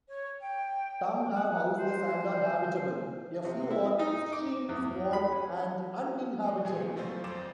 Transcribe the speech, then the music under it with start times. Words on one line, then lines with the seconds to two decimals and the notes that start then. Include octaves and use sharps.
Some have houses and are habitable; a few are extremely small and uninhabitable.
0.09 C#5
0.40 G5
1.36 F#5
1.79 C5
3.44 C3
3.70 E4
3.99 D#4
4.32 D6
4.69 E2
5.13 B5
5.31 C#4
6.45 F#3
6.65 A#2 E3 G#3 G#4 G#5
6.80 C#2
6.96 F3 F#3 A3 F4 C5
7.24 G#1 F2 C5 D6 A6 E7